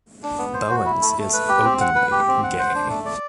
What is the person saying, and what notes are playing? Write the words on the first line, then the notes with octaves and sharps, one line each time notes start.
Bowens is openly gay.
D4
B3
C5
F#4
E4
A3
A3
B4
G4
C4
F#5
B4
G4
C4
F#5
C5
D4
A3
D5